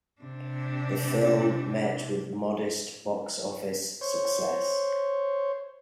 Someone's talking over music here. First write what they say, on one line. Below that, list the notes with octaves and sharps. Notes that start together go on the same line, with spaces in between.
The film met with modest box office success.
C3 D4
C5 C#5